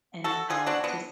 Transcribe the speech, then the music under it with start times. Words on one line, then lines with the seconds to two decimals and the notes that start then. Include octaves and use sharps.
And so to
0.24 F#4 A4
0.50 F4 G#4
0.66 D4 F#4
0.84 B3 D4